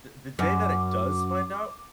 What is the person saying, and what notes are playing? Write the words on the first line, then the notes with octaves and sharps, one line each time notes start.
The the day that it does find out,
F#2 D6